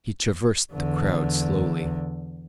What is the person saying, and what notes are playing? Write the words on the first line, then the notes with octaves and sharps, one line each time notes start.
He traversed the crowd slowly.
E2 D3